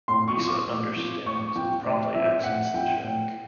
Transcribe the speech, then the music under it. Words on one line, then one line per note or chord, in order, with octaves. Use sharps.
Lisa understands and promptly exits the shack.
A2 C6
C#6
F3
D6
A2
F3
A2 C#6
F3 G5
A2 D5
F3 E5
A2 F#5
F3 G5
A2